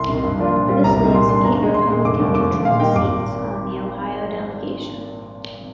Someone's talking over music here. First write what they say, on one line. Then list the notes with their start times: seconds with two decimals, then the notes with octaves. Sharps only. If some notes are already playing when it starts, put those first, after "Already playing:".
This leaves eight Republican-controlled seats in the Ohio delegation.
Already playing: C2 C6
0.09 C3 D#3
0.23 G2
0.38 F3 A#3 D4 F4
0.54 A#2
0.69 G3 C4 F4
0.84 C2 A#5
0.99 C3 G3 A#3 D#4
1.14 A#2 C6
1.29 G3 A#3 D4 C6
1.44 D#2 A#5
1.60 D#3 G#3
1.74 A#1 C6
1.90 A#2 G#3
2.04 F1 D6
2.19 D#2 D#3 G3
2.35 D#2 D6
2.50 D3 F3 C4
2.65 A#2 F5
2.80 G3 A#3 D#4 G5
2.96 G#1 D6